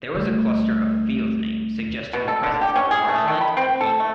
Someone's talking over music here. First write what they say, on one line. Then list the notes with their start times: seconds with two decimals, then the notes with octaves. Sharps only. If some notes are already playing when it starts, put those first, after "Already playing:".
There was a cluster of field names suggesting the presence of marshland and heath.
0.15 D2 G3
2.13 B2
2.28 A4
2.43 D3
2.61 G4
2.76 C#4
2.91 G#4
3.09 A3
3.28 D#3
3.41 B5
3.57 C4
3.81 A4
4.00 A3